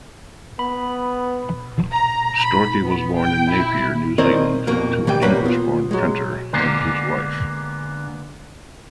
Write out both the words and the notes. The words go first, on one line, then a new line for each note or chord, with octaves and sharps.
Storkey was born in Napier, New Zealand, to an English-born printer and his wife.
B3 B5
A#5
B5
B3
G5
E4
D#3 C4 E4 A#4 D5 D#5
F2 B2 A#3
E3 G3 G5
F#2 G3 A#3 B4 B5
B3 F4
F#3 G#3
D3 G#3 A#3 B3